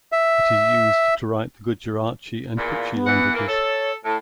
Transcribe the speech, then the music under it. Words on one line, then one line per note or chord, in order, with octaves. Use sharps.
It is used to write the Gujarati and Kutchi languages.
E5
E2 A#2
B3
E3 F#5
E3 A#3
A4 C#5
A2 A5